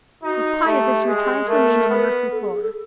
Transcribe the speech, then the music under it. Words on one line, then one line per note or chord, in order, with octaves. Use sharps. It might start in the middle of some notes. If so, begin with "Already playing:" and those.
It was quite as if she were trying to remain on the nursery floor.
D#4 F#4
A3 G4
G#3
A3 A#4
B3
A4
G#4
G#4
A4